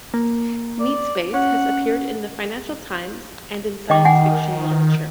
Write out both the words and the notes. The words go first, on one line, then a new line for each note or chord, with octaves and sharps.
"Meatspace" has appeared in the "Financial Times" and in science fiction literature.
A#3
D5
C#4 F#5
D#3 D#5 G5 D6
F#5 G#5